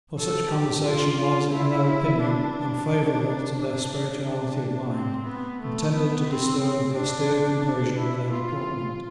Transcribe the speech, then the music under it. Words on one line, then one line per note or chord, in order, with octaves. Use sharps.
For such conversation was, in their opinion, unfavourable to their spirituality of mind, and tended to disturb the austere composure of their deportment.
A4
G4
F4
F4
E4
D4
D4
D4
C4
B3
A3
B3
C4
C4
D4
D4
E4
F4